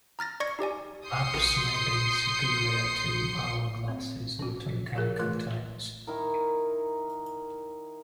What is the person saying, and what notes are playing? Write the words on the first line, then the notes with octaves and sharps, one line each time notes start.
Apps may be superior to hour glasses, or to mechanical timers.
A#5 F6 A6 A#6
D5 C#6 G#6 A#6 C#7
D#4 G4 D5 G#5
C6 D#6 G6 C7 C#7
C4
C#4 F#4
F3 G4 G#4 A#4
E3 A3 F4
D#3 E4 A#4